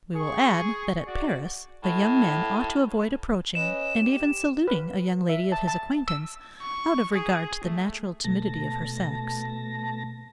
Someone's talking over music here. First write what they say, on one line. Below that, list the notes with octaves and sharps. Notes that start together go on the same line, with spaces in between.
We will add, that at Paris, a young man ought to avoid approaching, and even saluting a young lady of his acquaintance, out of regard to the natural timidity of her sex.
G#4 C#6
F#4 D5
A2
C#4 B4 D#5 E7
G4
B4
E5
A5
A5
E6
C#6
G#4
A3
B2 A3 A5 A#6